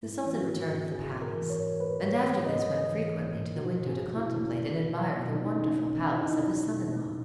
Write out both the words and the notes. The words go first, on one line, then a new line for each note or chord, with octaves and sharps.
The sultan returned to the palace, and after this went frequently to the window to contemplate and admire the wonderful palace of his son-in-law.
G#2 E4
E3
F#4
G#2
G#2
G#2 G#4
G#2
A#4
E3
C#5
G#2
G#2 B4
G#2 C#5
E3
G#2 D#5
E3 D#5
E3
E3
G#2
B2 F#4
B2
G#4
E2
E4
B2
B2
E2
B2
B2
B2 D#4
C#4
E2 D#4
B2 C#4
E2
E4
E2 D#4
E2
B2
E2